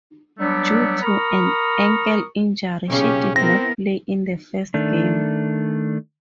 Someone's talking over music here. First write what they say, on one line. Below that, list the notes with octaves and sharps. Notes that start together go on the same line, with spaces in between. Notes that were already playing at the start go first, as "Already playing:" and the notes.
Due to an ankle injury, she did not play in the first game.
F#3 G3 A3 B3 D4
A#4 A#5 B5 C#6 D#6
B1 A#2 C#3 C#4 G4
B3 C4 E4 A#4 A#6
D#3 A3 D4